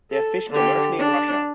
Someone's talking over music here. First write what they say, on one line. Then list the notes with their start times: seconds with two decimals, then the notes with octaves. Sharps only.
They are fished commercially in Russia.
0.11 A4
0.50 D3 G4
0.99 D4